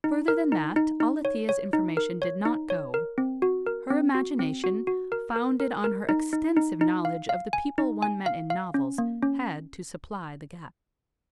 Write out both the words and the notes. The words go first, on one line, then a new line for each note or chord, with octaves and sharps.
Further than that Alethia's information did not go; her imagination, founded on her extensive knowledge of the people one met in novels, had to supply the gaps.
D#4
A#4
D#4
D#4
D#4
C#5
C#5
D#4
A#4
C#5
D#4
C#5
A#4
C4
F#4
A#4
C4
F#4
C4
F#4
F#4
A#4
A#4
A#4
A#4
D#4
D#4
D#4
D#4
F5
F5
G#5
D#4
G#5
F5
F5
C#4
A#3
C#4